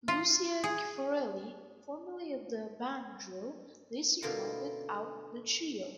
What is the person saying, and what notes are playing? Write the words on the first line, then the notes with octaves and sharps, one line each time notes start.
Lucia Cifarelli, formerly of the band Drill, later rounded out the trio.
F4
G#4
B2 D3 A#3 E4 F4 A#4